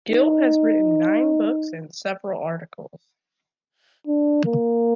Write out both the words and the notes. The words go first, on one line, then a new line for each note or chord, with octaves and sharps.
Gilb has written nine books and several articles.
D#4
D4
A#3